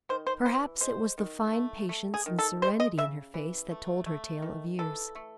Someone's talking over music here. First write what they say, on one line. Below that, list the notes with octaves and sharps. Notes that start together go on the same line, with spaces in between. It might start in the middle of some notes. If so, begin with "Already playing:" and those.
Perhaps it was the fine patience and serenity in her face that told her tale of years.
D#3 C5
C5
E3 C5
G#3 C5
D#3
A3
A3
G#4
D#3
A4
G#3 C5
D#5
C#3 E5
E3
A3
A3
D#3
E3 A4
A3